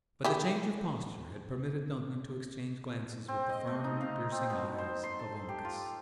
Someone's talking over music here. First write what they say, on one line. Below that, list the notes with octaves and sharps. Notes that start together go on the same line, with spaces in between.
But the change of posture had permitted Duncan to exchange glances with the firm and piercing eyes of Uncas.
E4 G4 G#4
C4
D#5
A3
D#4
F5
C4
B2
C5
C6
A4
G4
F4